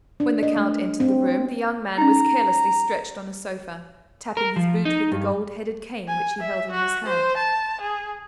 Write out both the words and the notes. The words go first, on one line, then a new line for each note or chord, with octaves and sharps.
When the count entered the room the young man was carelessly stretched on a sofa, tapping his boot with the gold-headed cane which he held in his hand.
D4
D#5
A3
C4
C#4 D#4 A#5
A#4
F3
D#4
G2
G#5
E5
F#4
C5
A5
G#4